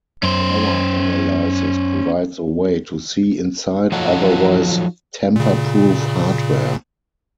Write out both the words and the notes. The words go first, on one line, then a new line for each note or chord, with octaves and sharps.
Power analysis provides a way to "see inside" otherwise 'tamperproof' hardware.
F#2 C#4 C5
F3 F#3 D#4 F#4 A4
A#2 C#3